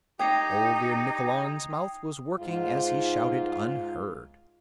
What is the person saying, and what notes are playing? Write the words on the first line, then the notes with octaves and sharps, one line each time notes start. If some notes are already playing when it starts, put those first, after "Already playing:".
Olvir Nikkolon's mouth was working as he shouted unheard.
D#4 G4 G5 D#6 G#6 C7
G#2 F4